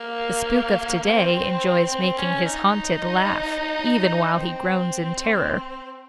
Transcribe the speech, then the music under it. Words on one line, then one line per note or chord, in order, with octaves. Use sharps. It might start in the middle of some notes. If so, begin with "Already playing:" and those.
The spook of to-day enjoys making his haunted laugh even while he groans in terror.
Already playing: A#3
C4
C4
C#4
D#4
C4